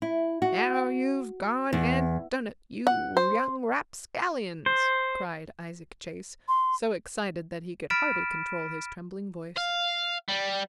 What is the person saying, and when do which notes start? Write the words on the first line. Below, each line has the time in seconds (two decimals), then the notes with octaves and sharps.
"Now you've gone and done it, you young rapscallions!" cried Isaac Chase, so excited that he could hardly control his trembling voice.
0.02 E4
0.42 F#4
1.73 E2
2.87 F#5
3.17 C5
4.66 C5
6.48 C6
7.90 B5 F6 A6 B6 D7 E7
9.57 F5
10.29 G3